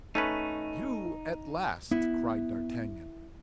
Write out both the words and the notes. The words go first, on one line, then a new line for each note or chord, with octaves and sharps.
"You at last?" cried d'Artagnan.
A3 C#4 D#4 B4
B3 E4